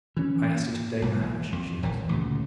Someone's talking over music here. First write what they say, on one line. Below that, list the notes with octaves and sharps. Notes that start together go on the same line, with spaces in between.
"I asked it of Dame Hatch," she answered.
E3 C#4
A#3
B1 G#2 A#3
F2
E1 A#1 E3
D2 A#2 C#3